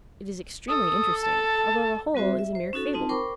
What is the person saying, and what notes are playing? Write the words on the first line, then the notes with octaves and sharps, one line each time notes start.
It is extremely interesting, although the whole is a mere fable.
A4 D#6
A5
G3 C4 F#4 C5 E5
E5
C5
C#4 D#4 F#4 A4
C4 D#4 F4 A5
A#4 C5 G5 B5 C#6 D6